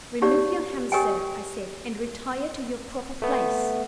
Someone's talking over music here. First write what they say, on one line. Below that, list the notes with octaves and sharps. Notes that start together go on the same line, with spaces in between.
"Remove your hands, sir," I said, "and retire to your proper place."
D#4 G4 C#5 D5
G4 A#4 C#5 D#5 G5 G#5
A3 B3